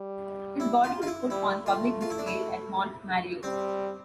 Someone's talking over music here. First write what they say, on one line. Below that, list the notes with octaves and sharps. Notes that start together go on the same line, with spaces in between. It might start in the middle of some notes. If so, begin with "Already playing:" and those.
His body was put on public display at Monte Mario.
Already playing: G3
E4
F4
F4
E4
G3 E4
A3 F4
F4
E4
D4
E4
G3 C4